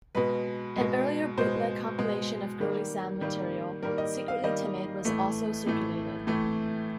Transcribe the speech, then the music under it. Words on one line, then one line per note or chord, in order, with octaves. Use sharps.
An earlier bootleg compilation of "Girly-Sound" material, "Secretly Timid", was also circulated.
B2 G#3 B4
B2 G#3
B2 G#3 C5
B2 G#3
D#3 G3 A#3
D#3 G3 A#3
D#3 G3 A#3 A#4
D#5
F5
D#3 G3 A#3 D#5
A2 E3 A3
A2 E3 A3
A2 E3 A3